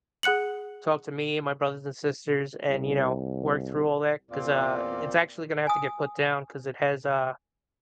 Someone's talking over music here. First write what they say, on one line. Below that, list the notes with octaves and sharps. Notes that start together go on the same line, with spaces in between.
talk to me and my brothers and sisters and, you know, work through all that 'cause, uh, it's actually gonna have to get put down 'cause it has, uh
G#4 F#5 F#6 C#7 F#7
C2
E2 A#2 C4 F4 D5
G#5 D#6